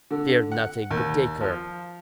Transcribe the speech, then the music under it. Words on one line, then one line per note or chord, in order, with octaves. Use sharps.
'Fear nothing, but take her.'
D3
F#5
D#2
F3